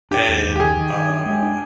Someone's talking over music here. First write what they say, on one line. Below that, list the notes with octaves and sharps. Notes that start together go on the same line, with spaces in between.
and, uh,
D4 G4
D#2
D#2
G4
D#3 G#4
D#3
D#3
D4
G#3
D4